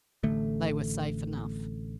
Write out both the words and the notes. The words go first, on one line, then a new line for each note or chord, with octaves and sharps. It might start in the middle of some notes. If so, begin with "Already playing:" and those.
They were safe enough.
A1 D3 A3